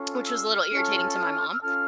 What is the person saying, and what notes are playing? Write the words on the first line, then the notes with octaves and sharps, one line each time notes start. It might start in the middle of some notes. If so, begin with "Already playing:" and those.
which was a little irritating to my mom,
Already playing: C#4 F4 A4
E6
F6
C#4 F4 A4
E6
C#4 F4 A4 F6